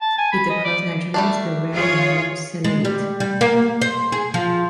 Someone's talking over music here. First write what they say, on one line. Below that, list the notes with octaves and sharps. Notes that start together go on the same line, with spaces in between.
It occurs naturally as the rare mineral sellaite.
A5
G#5
B5
D#5
D5
G3 A3 D4
F4 G#4 C#5
G#3
G3
G3
A#3
C5
G#4
F3